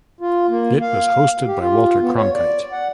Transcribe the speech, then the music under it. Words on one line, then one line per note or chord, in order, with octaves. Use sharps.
It was hosted by Walter Cronkite.
F4
A#3
F5
G4
F4
B3
C#5
D5
F#5